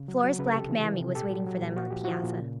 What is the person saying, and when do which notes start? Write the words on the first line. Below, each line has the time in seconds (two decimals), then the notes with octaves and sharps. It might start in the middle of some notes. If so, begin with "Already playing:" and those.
Flora's black "Mammy" was waiting for them on the piazza.
Already playing: C#3
0.08 F#3
0.24 F#3
0.39 C#3 B4
0.46 A#4
0.54 C3 G4 A4
0.70 E3
0.85 E3
1.00 C3
1.15 A#2 G4 A4
1.31 F#3
1.47 F#3
1.62 A#2
1.77 A#2 F#4
1.91 F3 G4
2.04 F3 E4 F#4
2.23 A#2
2.39 C#3